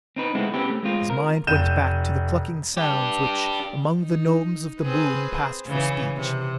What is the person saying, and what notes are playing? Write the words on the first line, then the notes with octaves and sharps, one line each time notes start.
His mind went back to the clucking sounds which, among the Gnomes of the Moon, passed for speech.
C4 D#4 B4
G#3 A3 B3 C4 E4
C4 C#4 G4 B4
A3
G#3 C4 F4
A#4
F1 G6 D#7 E7
D4 G4
D#4
C4 G#4 B4
C#3 E3
C3